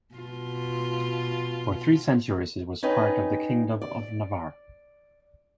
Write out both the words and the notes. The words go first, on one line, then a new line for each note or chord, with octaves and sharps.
For three centuries it was part of the Kingdom of Navarre.
B2 F4
C#4 D#4 B4 D#5 G5
D5